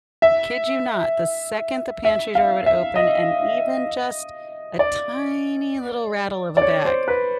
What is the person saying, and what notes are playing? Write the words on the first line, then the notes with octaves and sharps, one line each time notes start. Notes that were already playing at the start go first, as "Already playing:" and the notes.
kid you not, the second the pantry door would open and even just a tiny little rattle of a bag
E5
E5
F5
E5
D#5
D5
D5
C#5
C5
B4